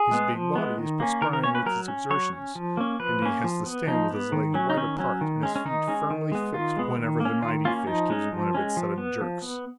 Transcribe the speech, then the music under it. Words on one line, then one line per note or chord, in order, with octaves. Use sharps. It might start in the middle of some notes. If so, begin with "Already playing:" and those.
His big body is perspiring with his exertions, and he has to stand with his legs wide apart and his feet firmly fixed whenever the mighty fish gives one of its sudden jerks.
Already playing: G#4
G#3 B3
F3
G#3 B3
D#3
A#3 C#4
D#3 A#4
A#4
A#3 C#4 C#5
B4
F#3 A#4
C#4
F#3 C#5
C#4
F3
A#3 C#4
F3 B4
A#3 C#4
F3
B3
F3 D#4
B3
D#3
F#3 C#4
D#4
D#3 C#4
F#3 C#4
D#3
G#3 C#4
C#4
D#3 D#4
G#3 C#4
D#3
G#3 B3
D#3 F4
G#3 B3
D#3
A#3
C#4
D#3 F4
A#3 C#4 F4
F3 D#4
G#3 C#4
F3
G#3 C#4
F3
B3
F3
B3